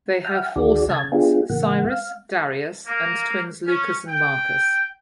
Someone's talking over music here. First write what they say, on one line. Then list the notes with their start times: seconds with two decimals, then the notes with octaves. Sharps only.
They have four sons: Cyrus, Darius, and twins Lucas and Marcus.
0.25 E5 F#5 G5 F6
0.56 D2 D#3 F#4 G#4 D5
0.90 C#3 A5 G#6
1.12 B3 D4 E4 F4 G4 G#4
1.50 A2 C#3 E3 A#3 F#5
1.90 F5
2.87 A#3
3.66 C#4
4.08 G5